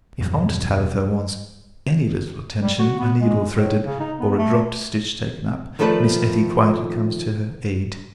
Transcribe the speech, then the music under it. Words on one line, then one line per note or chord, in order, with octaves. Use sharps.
If Aunt Tabitha wants any little attention, a needle threaded, or a dropped stitch taken up, Miss Etty quietly comes to her aid.
E2 G2 B2 F#3
G3
F#4
B3
G#3
A2
C#3
D#4
B3
A3
D#3 F3 A3 A4 B4 D5